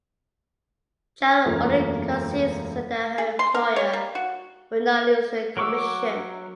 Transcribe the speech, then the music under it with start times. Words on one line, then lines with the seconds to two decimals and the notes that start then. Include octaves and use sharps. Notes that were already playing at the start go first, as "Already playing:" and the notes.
Jan only concedes so that her employer will not lose the commission.
1.45 E1 F#2 A3 A#3 F4 F5
3.18 G#4
3.39 C6
3.55 A#4
3.76 C#5
3.93 A#3
4.15 F#4
5.57 F#3 A#4 C#6 D6 E6